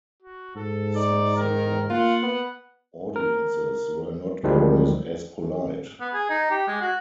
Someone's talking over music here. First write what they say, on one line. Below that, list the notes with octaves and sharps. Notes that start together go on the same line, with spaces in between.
Subsequent audiences were not always as polite.
F#4
G#2 A4
D#4 D5
D#3 A#4
A#3 F4 F#5
B3
A#4
D2 D#3 F3 G3 G#3
B3
G#4
D#4
G4
G#3
F#4